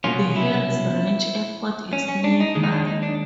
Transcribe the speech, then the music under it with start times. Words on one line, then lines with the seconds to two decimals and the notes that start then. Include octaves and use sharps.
The Harris Ranch Airport is nearby.
0.04 C2 B2 F#3 A#3 C#4 F4
0.36 E4
1.93 C#4
2.08 C#4
2.24 D4
2.40 D#4
2.55 D#2 D#3 G#3
2.64 D#4
2.72 D4
2.87 D#4
3.03 D4